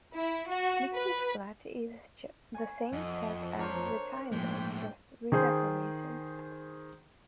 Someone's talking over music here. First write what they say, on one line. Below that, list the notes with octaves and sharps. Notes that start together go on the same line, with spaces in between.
Mickey's flat is the same set as the Tyler's, just redecorated.
E4
F#4
B4
G#5 C#6
F2 D#5 F#5
D4 A#4 C5 C#5
A2 F3 G#3 A#3 G5
D#3 G#4 C5